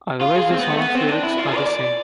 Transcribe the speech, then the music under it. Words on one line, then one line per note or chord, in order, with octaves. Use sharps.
Otherwise, the song's lyrics are the same.
F4
G#4
C4
B3
A3
B3
C4
D4
E4
F4
G#4
D5
D5